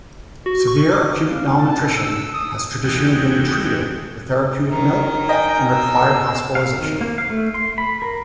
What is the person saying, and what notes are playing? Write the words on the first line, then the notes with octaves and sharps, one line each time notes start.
Severe acute malnutrition has traditionally been treated with therapeutic milk and required hospitalization.
F#4
C#6
D6
F5
A5
E6
D#6
D#2 E3 G#3 F#4 G5
D#3 F#3 A#4
D#5 G5 G#5
B2 E6
F5
D#3
A#3
F5
A3
C6
B5
A#4